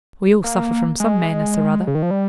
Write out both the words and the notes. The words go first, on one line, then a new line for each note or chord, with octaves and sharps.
We all suffer from some madness or other.'
A#3
G#3
C#3
D#3
F3
G3